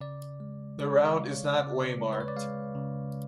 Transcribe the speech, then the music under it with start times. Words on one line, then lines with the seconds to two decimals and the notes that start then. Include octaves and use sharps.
The route is not waymarked.
0.01 C#3 D5
0.40 G#3
0.79 G#3 D5
1.05 F5
1.18 C#3
1.31 C#5
1.58 C#3 D5
1.97 G#3
2.13 B4
2.20 C#5
2.28 D5
2.36 G#3 F5
2.75 C#3